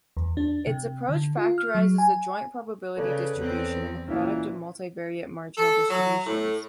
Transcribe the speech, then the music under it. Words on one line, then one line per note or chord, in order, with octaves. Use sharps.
Its approach factorizes the joint probability distribution in the product of multivariate marginal distributions.
E2
D4
C3
D3
F4
F6
F#3
G#5
C#3 A4 B4 C#5 D5
E2 C4
C#2 A#2 E3 C#4 E4
A4
F#3
A2